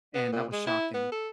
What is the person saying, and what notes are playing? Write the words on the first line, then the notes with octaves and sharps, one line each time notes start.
and that was shocking.
B3
A#2
G#3
E4
B3
A4